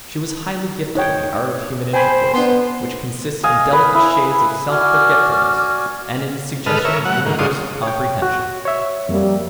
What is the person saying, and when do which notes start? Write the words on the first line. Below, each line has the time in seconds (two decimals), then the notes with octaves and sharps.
She was highly gifted in the art of human intercourse which consists in delicate shades of self-forgetfulness and in the suggestion of universal comprehension.
0.95 D#4 C#5 G5
1.93 C5 G5 G#5 B5
2.34 B3 D4 C6
3.44 D#5 F5 G#5
3.73 B4
3.95 E4
4.69 F#4 D5 G#5 D6 F6
6.66 G#2 A4 B4 D#5 F6
6.85 A#4 C#5 E5
7.05 F#3 F#5
7.26 G#2 D#3 A#3
7.39 G2 D4 F4 C#5 C6 D#6
7.83 C#5 G5
8.22 F#4
8.65 C#5 E5
9.09 F2 G3 A#3